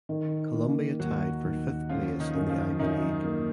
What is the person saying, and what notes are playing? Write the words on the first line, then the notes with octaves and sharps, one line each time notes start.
Columbia tied for fifth place in the Ivy League.
D#3
A#3
D#2 F#3 F#4
D#2
F3 C#4 F4
D#3 D#4
F#2
F3 F4
F#2 D#3 D#4
A#3